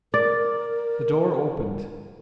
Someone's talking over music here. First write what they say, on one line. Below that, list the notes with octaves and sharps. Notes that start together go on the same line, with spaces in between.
The door opened.
A#4 D5